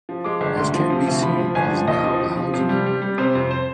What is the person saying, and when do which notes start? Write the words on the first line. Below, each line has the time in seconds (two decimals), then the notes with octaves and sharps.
As can be seen it is now a housing area.
0.09 F3
0.24 G#3 D6
0.41 G1
0.57 D2 C6
0.74 F3
0.90 C3
1.07 D2
1.22 F3 B5
1.39 F3
1.55 G1 G#5
1.71 F3
1.87 D#2 D#5
2.04 F3
2.20 F3
2.37 F3
2.54 C3
2.69 G3
2.86 G3
3.02 G3
3.18 C3 C5
3.35 F2
3.51 C5